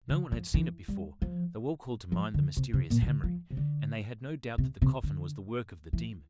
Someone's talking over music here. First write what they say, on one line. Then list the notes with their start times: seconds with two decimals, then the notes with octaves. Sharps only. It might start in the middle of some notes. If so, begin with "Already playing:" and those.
No one had seen it before, though all called to mind the mysterious hammering; and they had no doubt that the coffin was the work of the demon.
0.09 D3
0.32 F3
0.54 E3
0.88 G3
1.22 F3
2.12 F3
2.34 D3
2.57 C3
2.73 C3
2.90 A#2
3.02 E3
3.07 D3
3.24 F3
3.50 C3
3.57 D3
4.58 C3
4.82 C3
5.03 D3
5.93 E3